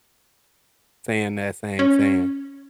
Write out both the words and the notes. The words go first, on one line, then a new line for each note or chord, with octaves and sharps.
saying that same saying,
C#4